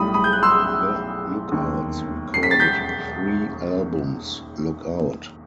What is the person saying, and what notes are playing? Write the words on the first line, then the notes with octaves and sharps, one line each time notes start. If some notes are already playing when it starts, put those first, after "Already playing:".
The Lookouts recorded three albums, Lookout!
Already playing: B1 A2 G3 B5 D#6
B5 D#6
G6
F#6
C6 E6
E1 D#2 D#3
C7
B6
A6
G6 B6